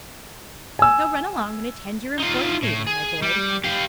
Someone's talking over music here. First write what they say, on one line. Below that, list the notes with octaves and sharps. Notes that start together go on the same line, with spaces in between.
"Now, run along and attend your important meeting, my boy."
G#5 E6
D#4 F4
A2
G#4
G3
G4 F5